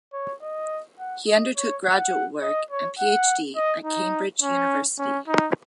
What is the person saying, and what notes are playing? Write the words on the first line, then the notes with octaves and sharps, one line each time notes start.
He undertook graduate work and Ph.D. at Cambridge University.
C#5
D#5
F#5
D#5
C#5
F#5
D#5
C#5
F#5
D#5
D#4
C#4
C#4
D#4